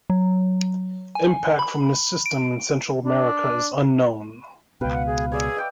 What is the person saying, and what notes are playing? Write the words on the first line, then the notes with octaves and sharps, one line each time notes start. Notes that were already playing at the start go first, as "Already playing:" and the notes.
Impact from this system in Central America is unknown.
F#3
G#5
B5
D7
D4
C#2 B2 B4 F5 G5
F#5
G#4
G#4 C#5 D5 E5
D#5 G5 D6